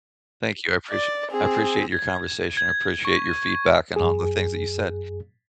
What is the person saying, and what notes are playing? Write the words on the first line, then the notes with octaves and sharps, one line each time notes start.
Thank you, I apprecia I appreciate your conversation. I appreciate your feedback and all the things that you said.
D5
C4 G#4
G#6
G#6
C#6
F#2 G#4